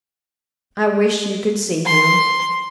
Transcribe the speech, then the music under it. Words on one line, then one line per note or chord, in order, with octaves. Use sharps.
I wish you could see him!
C6